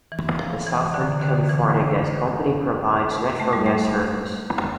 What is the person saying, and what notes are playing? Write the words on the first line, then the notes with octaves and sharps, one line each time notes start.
The Southern California Gas Company provides natural gas service.
E3
F3
E3
D3
D3
E3
A3
G3
A3